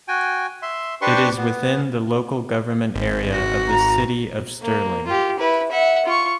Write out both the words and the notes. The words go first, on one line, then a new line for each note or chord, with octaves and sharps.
It is within the local government area of the City of Stirling.
F#4 G5 G#5
E5 C6
D4 G4 B4 C5 C6 C#6
B3
G#1
F#4
A#5
A#3
F4 G4
E4 B4
E5 F#5
F4 C#6